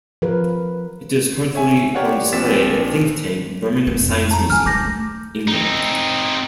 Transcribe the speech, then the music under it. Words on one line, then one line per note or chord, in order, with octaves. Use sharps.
It is currently on display at Thinktank, Birmingham Science Museum, England.
F3 A#4 B4
C#5 E5 G#5
G4 A#4 C#5 D5 F5 F#5
A#1 A#2 C4 A6 B6 E7
C#4
F2 A#2
A5 A#5
F2 G#5 F6
G3 D6 G6 A#6
A3
C4 D#4